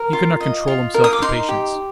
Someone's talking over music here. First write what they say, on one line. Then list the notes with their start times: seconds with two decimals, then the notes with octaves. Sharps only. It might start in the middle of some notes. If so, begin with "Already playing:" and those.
He could not control himself to patience.
Already playing: A#4
0.13 F4
0.40 D#5
0.68 F4
0.94 A#4
1.04 D#6
1.13 D6
1.22 D#4 C6
1.49 G4